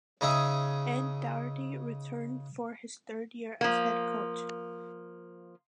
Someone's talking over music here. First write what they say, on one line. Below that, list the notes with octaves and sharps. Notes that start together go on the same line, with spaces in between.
Ed Doherty returned for his third year as head coach.
C#3 D#4 G#4 E5
F3 A#3